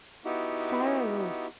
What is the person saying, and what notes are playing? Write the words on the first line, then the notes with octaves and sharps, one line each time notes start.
Sarah rose.
B3 D#4 E4 F#4 G4